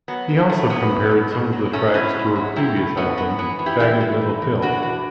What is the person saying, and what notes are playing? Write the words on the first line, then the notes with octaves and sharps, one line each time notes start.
He also compared some of the tracks to her previous album, "Jagged Little Pill".
F#3 B3
F#3
A2 A3
A2 B3
B2
B2
B2
F#3
F#3 A3 C#4
B2 C#4 E4
B2
F#3
F#3 E4 G4
A2
A2 B3
F#3 B3
E3 B3
E3
E4 G4
E3 E4 G4
E3
E3
E3
A2 D4 F#4
E3